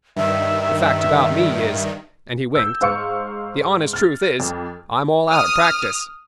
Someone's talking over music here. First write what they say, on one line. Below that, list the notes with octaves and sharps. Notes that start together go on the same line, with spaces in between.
The fact about me is,”—and he winked,—”the honest truth is, I’m all out of practice.
G2 D#3 E5
E6 G6
G#2 C5 F5 C#6 C#7
F6 A6
F2
D#6 F6